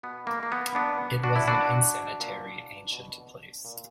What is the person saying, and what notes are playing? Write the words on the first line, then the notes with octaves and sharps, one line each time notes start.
It was an insanitary, ancient place.
B2 B3
A#3
A#3
B3
A#2 B3 D4
D4 F#4
E4
A#2 D4 F#4
A#2
B2
A#2